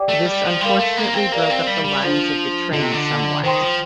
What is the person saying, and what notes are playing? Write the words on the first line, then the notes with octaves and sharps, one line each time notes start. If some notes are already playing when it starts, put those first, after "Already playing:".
This unfortunately broke up the lines of the train somewhat.
Already playing: G4 D5 G5 D6
A3
G3
F3
G3 A#4 F5 C6
A3
A#3
C4
A#3 G4 A#4 D5 F5
C4
G3
G3
F3 D4 F4 C5
D3 F4 A4 D#5
C3
D3
D#3 C5 G5 C6
F3